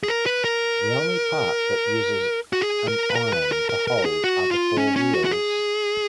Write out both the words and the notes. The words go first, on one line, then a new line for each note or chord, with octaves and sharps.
The only part that uses an iron to hold are the four wheels.
G#4
A#4
B4
A#4
F#4
G#4
A#4
B4
A#4
B4
A#4
A#4
A#4
G#4
F#4
F4
C#4
C#4
F#4
F#4
G#4